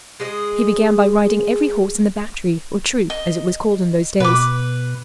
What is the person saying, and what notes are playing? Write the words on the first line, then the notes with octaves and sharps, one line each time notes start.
He began by riding every horse in the battery, or "troop," as it was called in those days.
G#3 G#4 D#5
D#5
B2 B4 D6